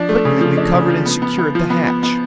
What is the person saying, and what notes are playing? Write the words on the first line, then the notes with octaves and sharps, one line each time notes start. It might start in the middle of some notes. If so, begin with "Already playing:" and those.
Quickly we covered and secured the hatch.
Already playing: F3 D4
A3
C#3
F3
D4
C#3
F3
B3
B3
B3
F3
B3
B3
B3